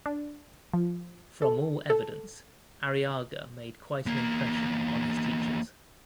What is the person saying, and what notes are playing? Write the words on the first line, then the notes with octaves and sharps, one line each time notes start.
From all evidence, Arriaga made quite an impression on his teachers.
D4
F3
A4
A4
E2 A#3